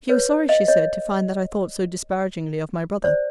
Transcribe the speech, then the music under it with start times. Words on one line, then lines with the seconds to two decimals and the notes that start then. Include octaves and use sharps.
She was sorry, she said, to find that I thought so disparagingly of my brother.
0.09 B4 C#5
0.49 D#5 F5
0.68 C#5 D#5
3.04 C5 D5